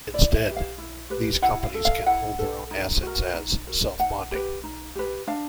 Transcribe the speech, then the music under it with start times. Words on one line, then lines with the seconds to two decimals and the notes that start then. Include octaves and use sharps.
Instead, these companies can hold their own assets as "self-bonding".
0.13 E4 D5
0.35 E5
0.46 G4 B4
0.56 F5
0.78 E4
1.10 G4 B4
1.42 E4 F#5
1.63 F5
1.74 A4
1.85 F5
2.06 E4 F#5
2.39 A4
2.71 D#4
3.03 F#4 A#4
3.34 D#4
3.67 F#4 A#4
3.99 D#4 F#5
4.31 G4 B4
4.64 D#4
4.95 G4 B4
5.27 D4 F5